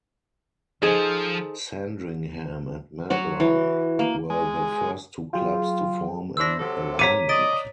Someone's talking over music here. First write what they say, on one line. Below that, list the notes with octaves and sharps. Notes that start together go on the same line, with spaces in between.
Sandringham and Melbourne were the first two clubs to form an alignment.
F3 D#4 G#4 A4 C5
F#3 F#4 C#5
E3
A#3
G#3
F#3 F4 G#4 G5
D4 E4 C5 E6 A#6
C3 F#3 A4
C#5 A#5 D6 B6 D#7
D5 D#5 A6 D7